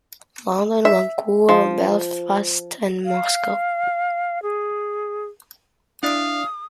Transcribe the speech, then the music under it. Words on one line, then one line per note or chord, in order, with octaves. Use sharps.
London, Vancouver, Belfast and Moscow.
E5
F3
F5
G#4
D4 E4 D5 F5 D#6